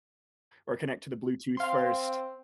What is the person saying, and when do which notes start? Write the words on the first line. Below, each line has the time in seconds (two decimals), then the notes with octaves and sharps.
or connect to the Bluetooth first,
1.57 C4 F5 C6